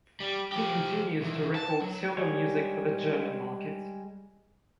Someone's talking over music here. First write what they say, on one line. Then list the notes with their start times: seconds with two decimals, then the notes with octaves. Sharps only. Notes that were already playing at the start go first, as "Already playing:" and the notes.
He continues to record solo music for the German market.
0.20 G3
0.52 F3 G4
1.21 C2 E3
1.55 A5
1.82 F#3
2.17 G3 G#3 C#5